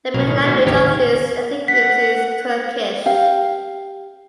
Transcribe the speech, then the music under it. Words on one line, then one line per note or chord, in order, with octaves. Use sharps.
The main language of these ethnic groups is Turkish.
B1 B2 A#3 F5
A2 D#3
A3 B3 D4 D#4 F#4 C5
A1 D#2 D#3 C4 G4 C#5
F#5 B6
G4 F5